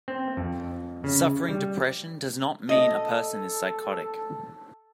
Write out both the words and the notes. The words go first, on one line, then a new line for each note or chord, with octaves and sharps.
Suffering depression does not mean a person is psychotic.
C4
F2
C#3
G3
A4 D#5